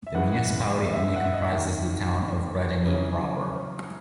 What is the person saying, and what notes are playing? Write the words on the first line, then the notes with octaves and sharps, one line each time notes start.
The municipality only comprises the town of Bredene proper.
E5
C#2 C#3 E3 F#5
F#5
E5
E5
E5
F#5
E5
D#5
E5
D#2 D#3
F#2 C#3 E3 C#5